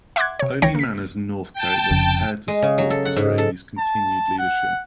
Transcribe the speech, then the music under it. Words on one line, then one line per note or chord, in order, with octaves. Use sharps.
Only Manners and Northcote were prepared to support Disraeli's continued leadership.
E5 F#5 C6 D6 F#6 G#6
C3 C#5
C#2 E3 C#5 G5 A#6 C#7
A#3 B6
G5 A5
F1 F2 C#3
G#3
C#3
F#3
A4
F#5
G#2
A4
A5
F#5